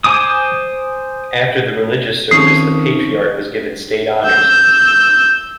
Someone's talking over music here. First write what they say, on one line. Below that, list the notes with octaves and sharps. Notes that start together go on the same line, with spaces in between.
After the religious service, the Patriarch was given state honors.
C5 G#5 D6 D#6
D#3 F3 C4 C#4 C#6 D#6 C7
E6 G6